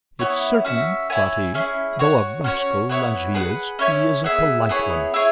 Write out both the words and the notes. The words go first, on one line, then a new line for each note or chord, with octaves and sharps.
"It's certain," thought he, "though rascal as he is, he is a polite one!"
B3 E4 C#5
C#4 F#4 E5
E4 C#5 G#5
C#4 E4 G#4
F#4 C#5 F#5
C#4 F#4 C#5
B3 E4 C#5 F#5
G#4 B4 F#5
C#4 E4 C#5 G#5
B3 G#4 E5
B3 E4 G#4 C#5
E4 G#4 C#5